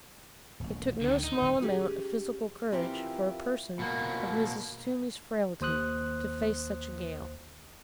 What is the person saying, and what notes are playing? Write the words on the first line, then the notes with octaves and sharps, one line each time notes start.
It took no small amount of physical courage for a person of Mrs. Toomey's frailty to face such a gale.
D#1 A1
D2 D3 D#3
D#4
D#1 D#3
C#4 G4 G#4
E3 C4 E4 F4 G4 A#4
B2 A#3
D#2 C5 D#6 F#6